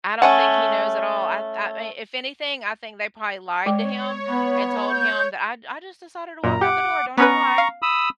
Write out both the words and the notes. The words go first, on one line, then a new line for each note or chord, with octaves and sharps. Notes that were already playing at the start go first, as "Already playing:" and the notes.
I don't think he knows at all, I I i if anything, I think they probably lied to him and told him that I d I just decided to walk out the door, don't know why.
A3 C#4 F#5
G#3 C#5 G5
B3 B5
G6
F#2 A#2 A#5
G4 F#5 D6
B3 C#4 B4 A#5 C#6
F5
B5 D#6 E6